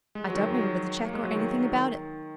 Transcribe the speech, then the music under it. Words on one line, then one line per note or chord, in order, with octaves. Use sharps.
I don't remember the cheque or anything about it.
G#3
F#3
D#3
F#3
A#3
G#3
F#3
D#3
F#3
D#3